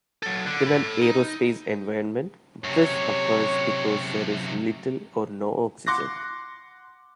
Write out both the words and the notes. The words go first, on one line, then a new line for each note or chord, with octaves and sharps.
In an aerospace environment, this occurs because there is little or no oxygen.
F#3 A4
D3
A4 B5
D#4
F#2 C3 C#5
F#5 C6 D6 F#6 A#6